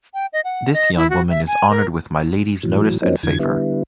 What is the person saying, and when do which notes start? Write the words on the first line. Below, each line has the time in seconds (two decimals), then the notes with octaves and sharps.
This young woman is honoured with my Lady's notice and favour.
0.14 G5
0.33 D#5
0.45 F#5
0.73 D#5
0.97 E4
1.10 F#4
1.30 E5
1.47 G#5
1.70 A#4
2.63 A2 E3 F#3
3.02 F3 F#3 A#3 C4 C#4 D#4
3.23 F2 D3 E3 G#6
3.39 D3 G3 B3 E4